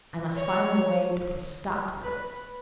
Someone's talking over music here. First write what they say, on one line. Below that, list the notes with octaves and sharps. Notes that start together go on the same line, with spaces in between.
I must find a way to put a stop to this.'
C#5
B4